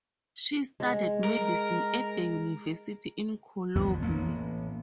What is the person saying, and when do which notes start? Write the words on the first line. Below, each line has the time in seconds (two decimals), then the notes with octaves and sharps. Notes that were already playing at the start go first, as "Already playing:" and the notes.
She studied medicine at the university in Cologne.
0.80 G#3
1.24 A#4
3.75 A1 F2 D#3 B3
4.02 A1 A#3 B3